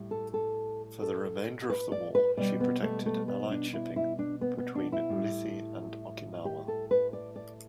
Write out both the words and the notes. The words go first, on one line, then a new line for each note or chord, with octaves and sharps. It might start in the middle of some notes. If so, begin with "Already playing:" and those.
For the remainder of the war, she protected Allied shipping between Ulithi and Okinawa.
Already playing: A2 G3
A4
A4
A4
B4
D5
B4
B2 G3 D5
B3
A3
A3
B3
D4
E4
E4
D4
B3
B3
D4
E4
A2 G3
G4
A4
B4
D5
D5